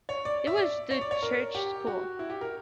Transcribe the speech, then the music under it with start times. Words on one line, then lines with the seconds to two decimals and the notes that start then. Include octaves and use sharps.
It was the church school.
0.09 C#5
0.25 D5
0.47 E5
0.57 D5
0.91 C#5
1.01 D5
1.11 C#5
1.22 A#4
1.55 G4
1.87 F#4
2.19 E4
2.30 G4
2.41 A#4